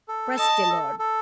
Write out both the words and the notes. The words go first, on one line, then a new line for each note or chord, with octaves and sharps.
Bress de Lord!
A4
D#5 A5
A4
A4